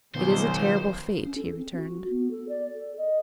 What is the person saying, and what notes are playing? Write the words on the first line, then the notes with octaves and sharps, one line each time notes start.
"It is a terrible fate," he returned.
C#2 F#2 B2 D#3 F3 B3 C5
C#4
A4
C4
F#4
B3
A4
D5
A4
D#5